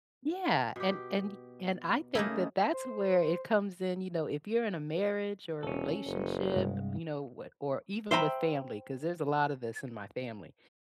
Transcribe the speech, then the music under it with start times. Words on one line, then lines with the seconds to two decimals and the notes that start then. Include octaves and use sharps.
Yeah, and and y and I think that that's where it comes in, you know, if you're in a marriage or a relationship, you know, wh or even with family, 'cause there's a lot of this in my family-
0.76 B2 G4
2.15 C#3 A3 A#3 C#4 D#4 E4 D#5
2.73 C5
5.63 E1 C#4 A4
6.06 F#1
6.56 C2 G2 G#3
8.11 C5 E5 G5 A#5 B5